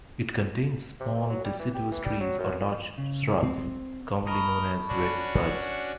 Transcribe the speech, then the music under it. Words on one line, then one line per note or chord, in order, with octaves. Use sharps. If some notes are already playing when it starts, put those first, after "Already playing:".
It contains small deciduous trees or large shrubs commonly known as redbuds.
C3
B2
F#3
G3
E3
G4
E3
G3
F#3
F#2
A#2
C#3
C4
A#4 D#5 A5 B5 C#6
C#4 D4 F#4